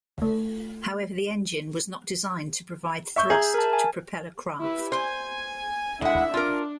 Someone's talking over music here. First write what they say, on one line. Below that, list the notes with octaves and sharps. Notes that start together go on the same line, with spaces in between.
However, the engine was not designed to provide thrust to propel a craft.
A3
E5 C#6 G6
G#4 E5 A#5
A#4 A5
G#5
E4 G4 B4
C5 G#5
D3 G#3 E4 E5 F#5
D4 F4 A#4